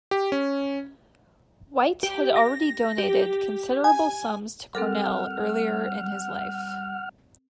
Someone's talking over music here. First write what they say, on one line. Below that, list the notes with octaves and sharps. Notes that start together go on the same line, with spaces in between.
White had already donated considerable sums to Cornell earlier in his life.
G4
C#4
G4
A#6
G4
G#5
G3 C4 A4 A#4 F#5 F6